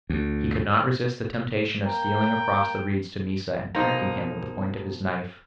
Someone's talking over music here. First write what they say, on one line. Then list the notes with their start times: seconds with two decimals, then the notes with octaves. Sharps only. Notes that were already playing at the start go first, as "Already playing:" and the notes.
He could not resist the temptation of stealing across the reeds to Mysa and pricking him with the point of his knife.
0.10 D2
1.84 A#3 G5
3.75 B1 A#3 D#4 C5 A#5